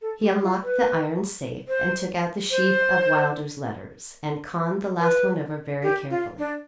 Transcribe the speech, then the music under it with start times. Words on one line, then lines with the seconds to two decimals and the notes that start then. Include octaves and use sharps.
He unlocked the iron safe, and took out the sheaf of Wylder's letters, and conned the last one over very carefully.
0.02 A4
0.22 G4
0.43 F4
0.64 B4
1.68 C5
2.51 C5
5.00 B4
5.83 G4
6.11 F4
6.38 D4